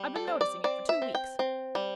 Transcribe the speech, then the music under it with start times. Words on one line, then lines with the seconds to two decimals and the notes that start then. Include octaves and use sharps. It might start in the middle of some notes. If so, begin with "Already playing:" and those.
I've been noticing it for two weeks.
Already playing: G3
0.16 A4
0.27 C4
0.41 D5
0.64 C4 D5
0.89 E5
1.02 C4
1.15 G5
1.39 C4
1.75 G3